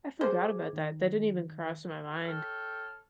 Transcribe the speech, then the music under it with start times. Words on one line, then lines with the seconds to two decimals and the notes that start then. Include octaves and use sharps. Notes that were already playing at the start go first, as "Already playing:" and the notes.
I forgot about that, that didn't even cross my mind,
0.21 G#4 C5 D6 G#6
0.73 D#3
2.22 A4 C#5 G5 F6